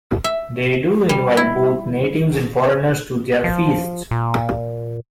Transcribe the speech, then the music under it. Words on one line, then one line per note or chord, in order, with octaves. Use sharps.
They do invite both natives and foreigners to their feasts.
E5
G3
E4
F3
A#2